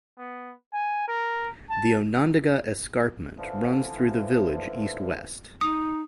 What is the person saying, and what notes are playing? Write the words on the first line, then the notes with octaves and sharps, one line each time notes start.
The Onondaga Escarpment runs through the village east-west.
B3
G#5
A#4
A5
D3 E3 F3
D#4 D#6